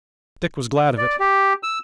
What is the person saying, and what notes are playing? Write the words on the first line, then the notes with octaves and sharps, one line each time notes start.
Dick was glad of it.
D5
G4
E6